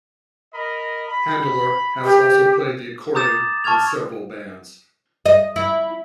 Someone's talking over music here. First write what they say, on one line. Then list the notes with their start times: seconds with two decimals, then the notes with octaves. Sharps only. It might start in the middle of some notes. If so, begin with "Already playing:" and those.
Handler has also played the accordion in several bands.
0.54 A#4 D#5 B5
1.07 B5
2.04 G4
3.15 A#5 D6 D#6 G6 A6 E7
3.64 A5 C#6 F6 G#6 F7
5.26 D#5
5.56 E4